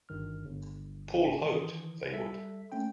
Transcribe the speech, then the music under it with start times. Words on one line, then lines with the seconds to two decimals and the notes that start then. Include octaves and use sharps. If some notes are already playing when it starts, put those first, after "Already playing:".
Paul hoped they would.
0.09 G1 G2 D#3 F6
0.44 G1
1.40 D#3 E3
2.12 G3 A4 E5 B6
2.72 A3 A#3 C#4 G5